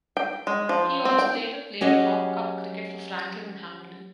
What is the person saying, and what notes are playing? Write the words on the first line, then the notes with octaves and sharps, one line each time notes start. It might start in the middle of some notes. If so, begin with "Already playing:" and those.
He also later played Hawke Cup cricket for Franklin and Hamilton.
G5
G#3
F3
C4
G5
F#3 C#4 G4 G#4 D#5 F#5